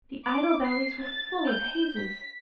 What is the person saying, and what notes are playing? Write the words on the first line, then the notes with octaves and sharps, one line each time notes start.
The idle valleys were full of hazes.
D6
C7
A6
G6
B6